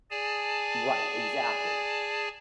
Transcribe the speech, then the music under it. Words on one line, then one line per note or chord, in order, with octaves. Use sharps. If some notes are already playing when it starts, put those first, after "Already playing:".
Right, exactly.
G#4 D5 G#5 A5